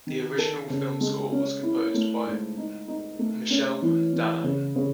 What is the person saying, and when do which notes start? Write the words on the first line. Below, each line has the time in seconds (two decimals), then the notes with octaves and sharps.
The original film score was composed by Mychael Danna.
0.07 D#3
0.38 A4
0.70 C#3
1.01 G#3
1.32 C#4
1.63 E4
1.94 A3
2.26 G#2
2.57 D#4
2.88 D#4
3.19 A3
3.50 C#4
3.82 E3
4.13 E3
4.44 C#3
4.76 C#3